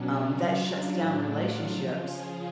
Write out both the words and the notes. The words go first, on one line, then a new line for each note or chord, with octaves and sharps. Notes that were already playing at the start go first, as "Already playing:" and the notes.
Um, that shuts down relationships
Already playing: B2 F#3 C#4 D4
C#3 F#3 F4
D4
A2 F#3 D4
F4
C#3 F3
G#4